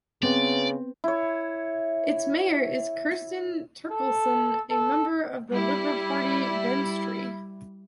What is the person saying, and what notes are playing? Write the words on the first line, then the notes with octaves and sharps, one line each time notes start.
Its mayor is Kirsten Terkilsen, a member of the liberal party "Venstre".
C#3 B3 C4 D5
E4 C#5
A4
A4
G3 E4